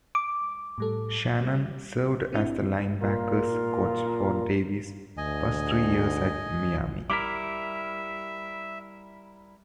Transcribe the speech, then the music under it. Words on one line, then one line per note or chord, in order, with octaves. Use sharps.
Shannon served as the linebackers coach for Davis' first three years at Miami.
D6
A2 G3 A4
G3
C4 D4 E4
A#2 F4 A#4
D2 D#5 G#5
G3 E4 A#4 E5 D6 B6